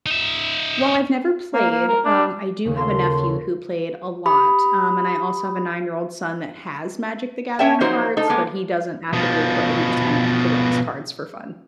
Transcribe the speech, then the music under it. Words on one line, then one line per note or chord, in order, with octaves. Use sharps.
Well, I've never played, um, I do have a nephew who played a lot, um, and I also have a nine-year-old son that has Magic: The Gathering cards, but he doesn't actively play, he just kind of collects cards for fun.
D#4 E5
A#3
A#3
A#4
D4
D#2 C#3
F#4 A4 A#4 C6
C#5
G4 B5 D#6
C#4 C#5 E5 G5 A5
F3 F#3 A#3 D#4 F#4 C5
D#4 A4
G#3 A#3 B3
B2 F3